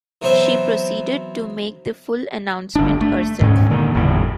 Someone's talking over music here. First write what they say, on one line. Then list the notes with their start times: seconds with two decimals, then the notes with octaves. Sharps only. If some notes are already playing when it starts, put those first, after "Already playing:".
She proceeded to make the full announcement herself.
0.22 E3 F#3 B3 C4 C5 E5
2.75 G1 D4
3.01 A3
3.40 D2 G#2 G#3 C#4
3.70 A#2 D3 D#3
3.94 G1 E2 A2 C#3